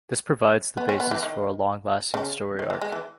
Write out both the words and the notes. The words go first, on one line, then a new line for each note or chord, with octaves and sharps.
This provides the basis for a long-lasting story arc.
B3
C#4
B3
E3
D#3
C#3
D#3
E3
G#3
E3